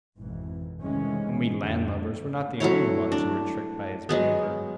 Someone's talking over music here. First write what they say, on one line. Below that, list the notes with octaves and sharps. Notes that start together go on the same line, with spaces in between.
And we land-lubbers were not the only ones he tricked by his manoeuvre.
G#1 F2 B2 E3
C3 D#3 E3 G#3 A3 C#4
F2 D3 F#3
F#3 A3 E4 C#5
D4
F#3 G#3 B3